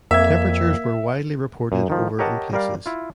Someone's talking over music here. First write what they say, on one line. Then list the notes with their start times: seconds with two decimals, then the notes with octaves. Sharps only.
Temperatures were widely reported over in places.
0.11 F2 A#3 E5 G#6
1.72 F#2
1.90 D#3 F3
2.19 G4 A#4 C#5 D#5 F#5 A5
2.53 G3 A#4 D5 F5
2.86 E4 F4